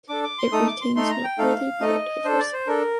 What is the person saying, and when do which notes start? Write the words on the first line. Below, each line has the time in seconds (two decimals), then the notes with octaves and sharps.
It retains noteworthy biodiversity.
0.09 D4 A4 D6
0.24 D6
0.38 C6
0.52 A3 D#4 A4 D#6
0.67 D6
0.81 C6
0.96 A3 D#4 A4 C6
1.10 A#5
1.24 G5
1.39 A3 D#4 A4 F5
1.81 A3 D#4 A4 D#5
2.24 D4 A4 C5
2.39 D5
2.53 C5
2.67 D4 A4 A#4